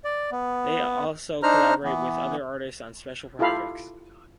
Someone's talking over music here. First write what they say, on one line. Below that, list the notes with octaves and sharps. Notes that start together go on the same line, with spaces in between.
They also collaborate with other artists on special projects.
D5
B3
D4 D#4 C5 A#5 F6
E3 B3
E4 F4 G4 A4 F5 B5